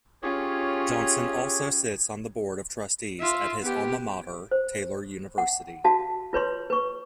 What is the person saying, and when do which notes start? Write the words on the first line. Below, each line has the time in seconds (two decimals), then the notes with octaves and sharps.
Johnson also sits on the Board of Trustees at his alma mater, Taylor University.
0.23 C#4 F4 G4 G#4 C#5
3.20 F4 E5
3.62 B3 G4
4.51 C5
5.38 F#5
5.84 F#4 F5 A5
6.33 F4 B4 C#5 C6
6.70 B4 C#6